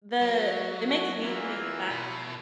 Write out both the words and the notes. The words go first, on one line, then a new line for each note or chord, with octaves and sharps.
the it makes me think back on, like,
F#3
F#4
E2 E3 A#3 F4 E5
B2